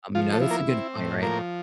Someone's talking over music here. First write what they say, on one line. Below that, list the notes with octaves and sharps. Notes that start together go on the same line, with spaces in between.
um, you know, that's a good point, right?
F3 F4
A3 A4
E4
A#3 A#4
C4
A2
F3 A#3 A#4